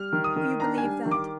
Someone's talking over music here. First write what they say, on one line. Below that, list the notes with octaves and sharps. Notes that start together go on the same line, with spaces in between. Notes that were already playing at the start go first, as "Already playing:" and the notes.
Will you believe that?
Already playing: G3 F6
D#3
D#6
D#3
D4 A#5
G#5
G3
D#3
D6